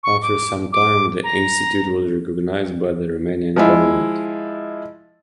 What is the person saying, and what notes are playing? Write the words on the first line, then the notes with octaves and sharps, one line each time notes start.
After some time the institute was recognized by the Romanian government.
C#6
D6
D6
A#5
F3 G#3 E4